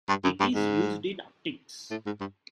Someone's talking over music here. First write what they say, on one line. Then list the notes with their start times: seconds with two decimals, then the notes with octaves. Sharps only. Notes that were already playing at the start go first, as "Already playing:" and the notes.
It is used in optics.
0.09 G2
0.24 F#2
0.40 G2
0.55 G#2
1.91 A2
2.06 G#2
2.21 G2